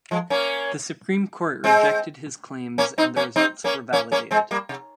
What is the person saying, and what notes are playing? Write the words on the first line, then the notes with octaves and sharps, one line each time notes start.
The Supreme Court rejected his claims and the results were validated.
F3 G#3
A#3 C#4
G#3 C4
A#3 C#4
C4 D#4
A#3 C#4
C4 D#4
A#3 C#4
A#3 C#4
A#3 C#4
G#3 C4
G3 A#3
C3